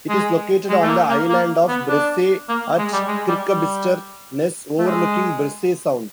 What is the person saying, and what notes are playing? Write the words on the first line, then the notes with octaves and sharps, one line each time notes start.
It is located on the island of Bressay at Kirkabister Ness overlooking Bressay Sound.
G#3
G#3
A3
A#3
A#3
A#3
B3
D4
A#3
G#3
G3
G#3
G3
G3
A3
G#3